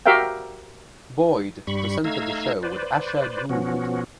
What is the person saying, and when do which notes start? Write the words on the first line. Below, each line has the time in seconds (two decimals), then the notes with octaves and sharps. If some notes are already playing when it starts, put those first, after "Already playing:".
Boyd presented the show with Asher Gould.
0.06 F#4 G4 A#4 E5 F5 G5
1.67 G2 G3 B5 C#6
2.04 A3 D#4 F5 A#5 E6 G#6
2.63 B4 C5 D5
3.49 B2 F3 B3 C#4 F#4